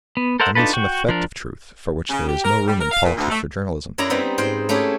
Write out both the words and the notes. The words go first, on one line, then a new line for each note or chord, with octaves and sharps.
I mean some effective truth, for which there is no room in politics or journalism.
B3
A4 A#4 C5 E5 F#5
D4 D#4 F4 A4 B4
F#4 G5 C#6
F3 D4 A#4
C#3
G4
A#4
G3
A#4
F5
A#2
D2
A3
F#2 F#3 E4 D5 D#5 A#5
G3 B3 C4 D#4
G#2 C5 G5
A3 C#4 E4 G4 G#4